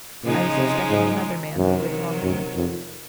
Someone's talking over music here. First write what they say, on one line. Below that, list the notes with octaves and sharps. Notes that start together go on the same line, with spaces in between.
I was expecting another man who had wronged me.
A#2 C#3 F3 G#3 D#4
C3
G#2
F#2 C3 D#3 F#3
F#2
F2